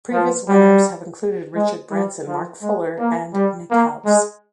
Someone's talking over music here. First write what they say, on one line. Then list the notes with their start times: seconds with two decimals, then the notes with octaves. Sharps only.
Previous winners have included Richard Branson, Mark Fuller and Nick House.
0.13 F3
0.48 G3
1.55 G#3
1.91 G3
2.27 F3
2.62 G#3
2.99 A#3
3.33 G3
3.70 A#3
4.05 G#3